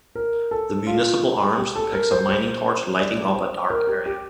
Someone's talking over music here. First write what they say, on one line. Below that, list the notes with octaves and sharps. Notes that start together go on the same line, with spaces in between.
The municipal arms depicts a mining torch lighting up a dark area.
A#4
A4
F4
G4
A4
A#4
C5
C5
D5
C5
A#4
G4
G4